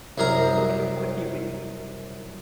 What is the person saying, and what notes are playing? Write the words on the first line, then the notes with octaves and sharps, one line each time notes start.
Okay, what do you mean?
C2 F#2 G#4 A#4 A#5